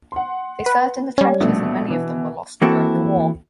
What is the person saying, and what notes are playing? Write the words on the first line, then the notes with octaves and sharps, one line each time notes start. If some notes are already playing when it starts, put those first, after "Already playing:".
They served in the trenches and many of them were lost during the war.
F#5 C6
B4
G3 C#4 G#6
A#1 B2 A3
B2 E3
E3 A#3 C4 E4 F#4 A4